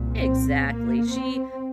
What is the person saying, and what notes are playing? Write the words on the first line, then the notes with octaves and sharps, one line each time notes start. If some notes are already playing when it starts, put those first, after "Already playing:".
Exactly. She,
Already playing: C2 A#2
C4
A#3
C4